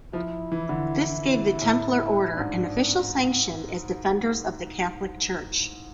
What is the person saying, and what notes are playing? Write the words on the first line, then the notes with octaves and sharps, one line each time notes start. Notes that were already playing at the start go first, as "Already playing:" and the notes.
This gave the Templar Order an official sanction as defenders of the Catholic Church.
F3 E4
E3
D3
A2
G#2 D4